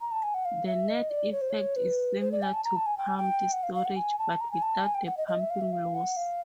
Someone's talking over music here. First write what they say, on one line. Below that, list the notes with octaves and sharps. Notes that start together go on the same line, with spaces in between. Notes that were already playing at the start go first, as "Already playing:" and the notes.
The net effect is similar to pumped storage, but without the pumping loss.
A#5
A5
G#5
F#5
F5
E5
D#5
D5
C#5
C5
C#5
B4
C5
D5
G#5
A5
A#5
A5
G#5
G5
G#5
G5
F#5
F5
F5
F#5
G#5
A5
A#5
G#5
A5
G#5
G5
F#5
D#5
D#5
E5
F5
E5
F5
F#5
F5